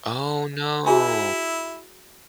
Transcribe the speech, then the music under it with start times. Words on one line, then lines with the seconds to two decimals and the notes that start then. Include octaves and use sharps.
Oh, no.
0.87 E4 F#4 G#4 G#5